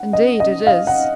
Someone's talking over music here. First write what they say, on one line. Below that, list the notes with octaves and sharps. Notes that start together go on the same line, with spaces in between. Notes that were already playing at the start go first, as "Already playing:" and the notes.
"Indeed it is."
Already playing: F#5
D#5
D#5
F5
F#5